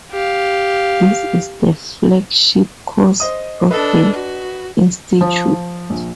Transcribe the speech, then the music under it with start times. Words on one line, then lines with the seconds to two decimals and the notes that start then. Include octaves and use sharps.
This is the flagship course of the institute.
0.11 G4 F5
3.20 C5 D#5 D#6
3.71 D4 A4 B4 D#5
4.13 F#4
5.21 F3
5.90 A#1